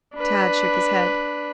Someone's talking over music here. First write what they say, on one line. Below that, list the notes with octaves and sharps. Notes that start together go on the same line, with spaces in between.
Tad shook his head.
D4 B4